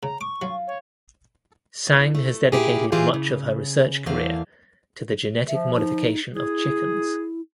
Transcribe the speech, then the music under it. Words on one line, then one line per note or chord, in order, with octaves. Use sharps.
Sang has dedicated much of her research career to the genetic modification of chickens.
C#3 A#5
C#6 D6
F#3 F4
C#5
E2
A3
A#2 E4 G4 G#4
C#3 E3 F4 G4 G#4
C#3
E2 A3 A#3 F5
F3 E5
D#4
E4 G#4